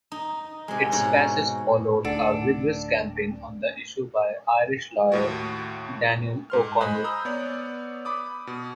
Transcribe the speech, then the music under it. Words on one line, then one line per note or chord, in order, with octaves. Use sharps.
Its passage followed a vigorous campaign on the issue by Irish lawyer Daniel O'Connell.
D#4
C3 G#3
G#2 B2 C#5 A#5
D1 D2 A3 D4 D#4 A4 F#5
D#2 A2 F#4
G#2 C6 F6
C5 D#5 G#5 B5 D#6 F#6
A#5 D#6 E6 G6
B3 C#5 D5
B5 D6 D#6
B2